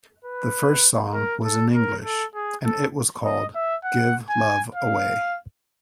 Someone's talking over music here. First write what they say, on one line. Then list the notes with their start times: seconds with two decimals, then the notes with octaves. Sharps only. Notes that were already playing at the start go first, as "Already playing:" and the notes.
The first song was in English, and it was called "Give Love Away".
0.24 B4
1.14 A#4
1.44 A4
1.74 A#4
2.04 A4
2.35 G#4
2.64 A4
3.25 D#5
3.55 E5
3.84 F#5
4.29 G#5
4.75 F5